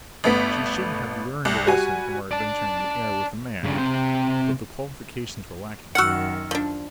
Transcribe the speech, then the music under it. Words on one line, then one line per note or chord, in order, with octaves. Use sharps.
She should have learned a lesson from her adventure in the air with the man, but the qualifications were lacking.
G1 A3 B3 B6
C2
G3 F#4 G#5
D5 A5
G2 C#3
C3 C5
F#2 D#3 F#4 F#5 E6 F6 C#7
F3 D4